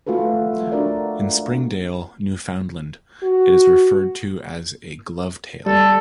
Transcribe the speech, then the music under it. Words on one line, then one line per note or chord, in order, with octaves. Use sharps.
In Springdale, Newfoundland, it is referred to as a "glove-tail".
A3 F4 F#4 A4 B4
D4 F#4 A#4 D5
F#4
G3 A4